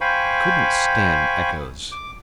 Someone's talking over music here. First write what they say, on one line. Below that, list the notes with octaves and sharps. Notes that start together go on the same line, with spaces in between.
He couldn't stand echoes.
C5 F5 G5 G#5 B5 C#6
D6